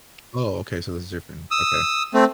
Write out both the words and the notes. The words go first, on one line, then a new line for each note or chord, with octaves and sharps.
Oh, okay. So this is different. Okay.
D#6 E6
A3 C4